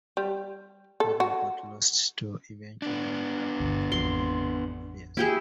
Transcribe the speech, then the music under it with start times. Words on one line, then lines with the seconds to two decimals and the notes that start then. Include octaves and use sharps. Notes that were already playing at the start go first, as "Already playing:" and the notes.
Davenport lost to eventual runner-up Mary Pierce.
0.17 G3
1.00 A4
1.20 F#4
2.82 B3 D4
3.60 G1 D2
3.92 A1 F2 C6
5.17 A#3 E4 G4 G#4